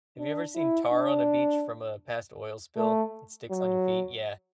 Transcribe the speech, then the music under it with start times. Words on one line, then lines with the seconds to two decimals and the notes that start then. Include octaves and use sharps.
have you ever seen tar on a beach from a past oil spill that sticks on your feet? Yeah.
0.18 D4
0.55 E4
0.92 D4
2.77 A3
3.50 F#3